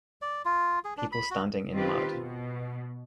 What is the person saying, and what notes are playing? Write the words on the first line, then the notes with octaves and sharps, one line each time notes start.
People standing in mud.
D5
F4
G#4
D4
B5
F#4
D#3 C4 F4 G4 B4
B2